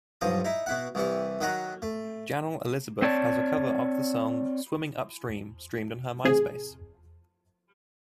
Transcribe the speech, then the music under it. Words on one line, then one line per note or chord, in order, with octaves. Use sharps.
Janel Elizabeth has a cover of the song "Swimming Upstream" streamed on her Myspace.
B1 G2 F3 D#5 D#6
D#4 E4
B2 E4 F#5
C2 E3 G3 C#6
D#3 F#3 D#5 F#5 A#5 C#6
A3
C4 C#5 D5 A5
A1 C3 G#4